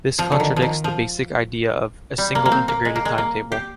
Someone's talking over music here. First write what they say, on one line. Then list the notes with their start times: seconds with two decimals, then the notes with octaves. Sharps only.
This contradicts the basic idea of "a single Integrated Timetable".
0.19 F3
0.32 D3
0.40 D#3
0.56 F3
0.62 D#3
0.84 F3
2.18 G3
2.35 A#3
2.46 A#3
2.52 C4
2.68 A#3
2.85 G#3
2.96 A#3
3.05 G#3
3.18 A#3
3.52 G4